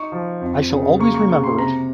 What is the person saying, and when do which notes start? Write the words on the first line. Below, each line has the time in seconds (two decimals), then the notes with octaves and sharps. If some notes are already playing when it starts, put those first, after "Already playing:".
I shall always remember it.
Already playing: D#4 C#6
0.12 F3
0.41 F2
0.70 C#3
0.99 A#3 C#6
1.14 C#6
1.29 C#3 C#6
1.44 C6
1.58 C3 A#5